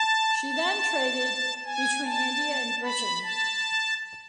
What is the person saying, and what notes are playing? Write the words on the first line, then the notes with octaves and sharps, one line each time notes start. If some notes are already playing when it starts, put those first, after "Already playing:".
She then traded between India and Britain.
Already playing: A5
A5
G#5
A5
B5
A5